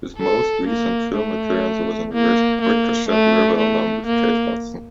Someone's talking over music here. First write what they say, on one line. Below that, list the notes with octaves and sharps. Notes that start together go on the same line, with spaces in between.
His most recent film appearance was in "Ricochet River", along with Kate Hudson.
A4
A#3
A3
A#3
A#3
A3
A3
A#3